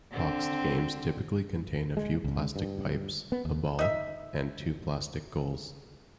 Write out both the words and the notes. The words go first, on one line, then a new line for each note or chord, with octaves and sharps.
Boxed games typically contain a few plastic pipes, a ball, and two plastic goals.
D3 C4
G#3
C#2
G2
B3
D#2
D#4 E5